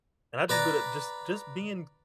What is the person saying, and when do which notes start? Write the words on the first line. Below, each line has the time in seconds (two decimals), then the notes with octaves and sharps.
And I just but, uh, just just being k
0.49 B4 D5 A#5